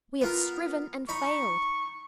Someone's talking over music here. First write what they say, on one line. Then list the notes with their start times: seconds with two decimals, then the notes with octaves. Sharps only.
We have striven and failed.
0.21 B3 F4 A#4
1.09 D#4 B5 C#6